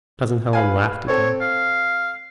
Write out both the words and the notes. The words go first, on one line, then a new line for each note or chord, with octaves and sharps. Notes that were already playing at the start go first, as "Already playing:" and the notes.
Cousin Helen laughed again.
B4 F5 G#5
C4 A4 C#5
F5